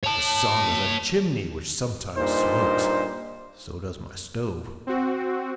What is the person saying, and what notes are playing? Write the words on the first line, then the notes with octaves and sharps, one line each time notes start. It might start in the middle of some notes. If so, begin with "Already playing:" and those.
The sun is a chimney which sometimes smokes; so does my stove.
C#5 A5
G2 A#2 D#4 C5
C4 F#4